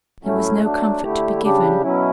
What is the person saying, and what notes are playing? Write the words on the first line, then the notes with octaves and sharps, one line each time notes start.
There was no comfort to be given.
A2 F#3 A3 C#4 E4
F#3 A3 D4
D3 A3 E4 G4
C#3 G3 D4 G4
B2 F#3 C#4 E4